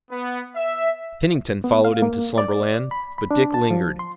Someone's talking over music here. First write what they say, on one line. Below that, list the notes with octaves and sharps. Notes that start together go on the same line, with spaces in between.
Pennington followed him to slumberland, but Dick lingered.
B3
E5
B3
F5
A#3
D5
B5
B5
D4
A5
F3
C6